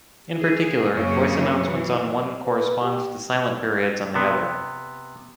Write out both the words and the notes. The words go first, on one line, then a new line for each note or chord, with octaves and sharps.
In particular, voice announcements on one correspond to silent periods on the other.
G#4
F#2 C#3 A#3 C#4
E3 F#3
B4
G4
C3 B3